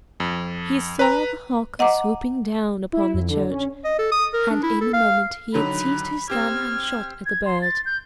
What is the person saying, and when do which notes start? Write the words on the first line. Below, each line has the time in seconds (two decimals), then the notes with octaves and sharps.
He saw the hawk swooping down upon the church, and in a moment he had seized his gun and shot at the bird.
0.20 F2
0.99 B4 A#5
1.79 D#5 F#5 A#5 D6
2.93 E4
3.14 F2
3.29 D3
3.51 C#4
3.84 D#5
3.99 A4
4.12 D#6
4.34 A#4
4.51 D4
4.63 E4
4.81 A4
4.93 F5
5.54 D3 D#3 F#3 B5
6.30 C4 G4 F6 G#6
7.26 G#6
7.45 C6
7.62 A6
7.86 G6